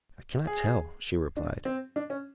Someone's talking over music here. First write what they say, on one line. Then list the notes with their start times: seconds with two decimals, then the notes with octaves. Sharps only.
"I cannot tell," she replied.
0.47 G#4
1.37 D4
1.65 C4
1.96 D4
2.10 C#4